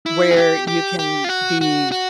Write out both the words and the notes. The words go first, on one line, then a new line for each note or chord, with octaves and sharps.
where you can be f
E4
G#4
G4
G4
G4
F4
F#4
F#4
F#4